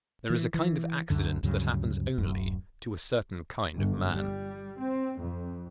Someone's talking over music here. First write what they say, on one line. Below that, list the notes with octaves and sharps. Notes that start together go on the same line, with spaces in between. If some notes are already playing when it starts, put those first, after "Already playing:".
There is a kind of accident that happens only to a certain kind of man.
E3
E3
C#2 F#2 D3
D2 G2 C#3 F#3
D1 F#2
G1
G3
C4
F2